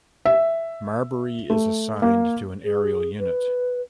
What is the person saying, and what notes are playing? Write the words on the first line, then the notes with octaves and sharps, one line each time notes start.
Marbury is assigned to an aerial unit.
E5
A3
A#3
G#4
B4